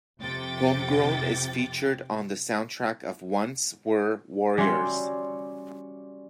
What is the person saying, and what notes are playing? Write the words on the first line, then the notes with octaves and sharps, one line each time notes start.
"Homegrown" is featured on the soundtrack of "Once Were Warriors".
F2 C3 G5 A6
G3 C#4 F#4 D5 E5 C6